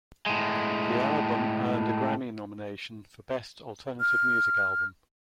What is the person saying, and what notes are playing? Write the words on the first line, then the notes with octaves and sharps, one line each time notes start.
The album earned a Grammy nomination for Best Alternative Music Album.
A2 G#3
F6